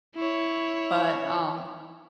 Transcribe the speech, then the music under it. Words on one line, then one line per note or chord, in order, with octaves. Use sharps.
but, um
E4 C#5